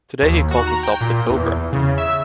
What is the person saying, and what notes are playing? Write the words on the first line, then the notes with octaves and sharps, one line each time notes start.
Today he calls himself "The Cobra".
D#2
F#4
A#5
G5
A#2
E2
C#3
E5